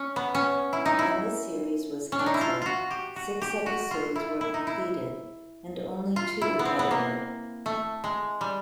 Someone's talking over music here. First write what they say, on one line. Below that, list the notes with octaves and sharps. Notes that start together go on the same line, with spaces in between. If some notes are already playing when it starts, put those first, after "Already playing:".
When the series was cancelled, six episodes were completed and only two had aired.
Already playing: C#4
B3
C#4
E4
D#4
E4
C#4
D4
D#4
E4
F4
F4 F#4
G4
F#4
G4
F#4
F4
E4
E4
D#4
E4
F4
E4
B3
C4
B3
A#3
A3
G#3
G3